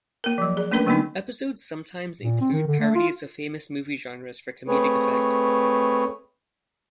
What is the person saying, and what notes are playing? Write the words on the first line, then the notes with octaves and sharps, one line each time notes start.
Episodes sometimes include parodies of famous movie genres for comedic effect.
A#3 A#4
F3 F#3
G#4 D5
A3 A#3 C#4 D4 A#4 B4
D3 F#3 A#3 B3 D4 D#4
A#2
C4
D#3
D3
A3
F4
A3 C4 G#4 B4 C#5